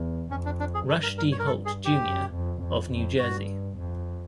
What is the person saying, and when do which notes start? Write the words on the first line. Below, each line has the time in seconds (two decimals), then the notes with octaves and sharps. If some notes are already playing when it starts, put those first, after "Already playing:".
Rush D. Holt, Junior of New Jersey.
Already playing: E2
0.31 F2 C#4
0.45 D4
0.60 D4
0.74 G#4
0.89 G2 A4
1.03 A#4
1.18 A#4
1.32 C#5
1.39 A#4
1.46 A4
1.65 G#4
1.85 G4
2.04 F#2
2.33 F2
2.61 F2
2.91 F2
3.19 G2 F#4
3.78 F2